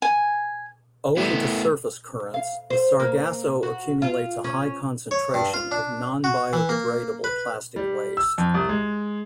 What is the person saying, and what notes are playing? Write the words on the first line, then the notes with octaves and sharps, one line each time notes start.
Owing to surface currents, the Sargasso accumulates a high concentration of non-biodegradable plastic waste.
G#5
A3 B3 E4
F5
C5
A#3
F#4
F4
C#4
C#5
G2
F4
D4
F#4
E3
A#3
B4
G3
E6
F2
C2
G#3